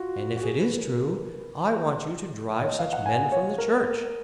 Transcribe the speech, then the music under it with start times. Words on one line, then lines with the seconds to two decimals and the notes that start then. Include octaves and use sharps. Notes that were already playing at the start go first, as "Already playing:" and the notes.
And if it is true, I want you to drive such men from the church!
Already playing: F4 F#4
0.37 F#4
0.42 G#4
0.60 B4
0.78 A#4
2.61 C#5
2.66 D#5
2.79 F5
2.93 F#5
3.06 G#5
3.32 C#5
3.58 A#4